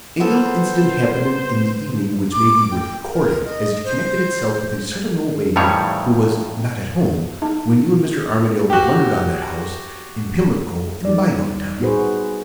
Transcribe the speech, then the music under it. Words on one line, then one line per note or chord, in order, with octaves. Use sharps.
A little incident happened in the evening which may be worth recording, as it connected itself with a certain old lady who was not 'at home' when you and Mr. Armadale blundered on that house in Pimlico in the bygone time.
B3 A4 B4 C5
D6
G5
A#4
D#5
C5
F2 A2 D#3 E3 G3 C#5
D#4
F#4 G4
G3 D#4 D5
B3 D#4 F#4 G#4 B4 C5